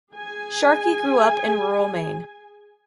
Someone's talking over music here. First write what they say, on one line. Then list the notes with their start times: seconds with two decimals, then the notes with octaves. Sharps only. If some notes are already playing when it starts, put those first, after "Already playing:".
Sharkey grew up in rural Maine.
0.12 G#4 G#5